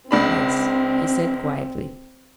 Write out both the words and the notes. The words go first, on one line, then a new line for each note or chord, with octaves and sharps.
"Yes," he said quietly.
C#2 C4 D4 B5